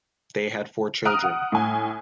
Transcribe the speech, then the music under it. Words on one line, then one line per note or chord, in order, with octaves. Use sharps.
They had four children.
A#5 D#6 F6 F#6 D7
F#5
A2 G#5